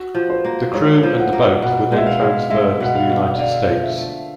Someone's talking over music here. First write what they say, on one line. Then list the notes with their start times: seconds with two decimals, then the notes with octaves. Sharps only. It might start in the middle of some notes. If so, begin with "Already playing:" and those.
The Crew and the boat were then transferred to the United States.
Already playing: F#4
0.15 F3
0.30 C5
0.45 A#3
0.74 G#2 C#5
1.03 F3
1.18 F#5
1.33 A#3
1.62 B2 F#5
1.92 G#3 E5
2.06 F5
2.21 G#3
2.50 G#3 E5
2.80 B2 F#5
2.95 F5
3.10 B2
3.39 D3 F5
3.69 F3
3.83 E5
3.98 A3